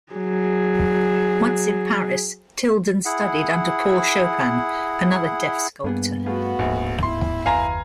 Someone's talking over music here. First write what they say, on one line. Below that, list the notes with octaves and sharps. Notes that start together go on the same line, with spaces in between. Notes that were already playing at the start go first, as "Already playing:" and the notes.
Once in Paris, Tilden studied under Paul Chopin, another deaf sculptor.
F#3 G#4
E4 G#4 F#5
G2 A#3 B3 G#4
A3 B3 F4 F#4 G#4
D1 A#1 G#2
E4 C6
F#1 D#2 B4 F5 G#5 A#5 C6